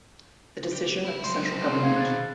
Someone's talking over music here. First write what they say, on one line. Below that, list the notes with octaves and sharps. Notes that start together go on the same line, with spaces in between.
The decision of the Central government.
G4
E5 B5
D#3 F#3 G#3 C5
F3 A#3 C4 C#4 G#4
A3 D#4 G#4 F5 G#6
B2 F#6 A6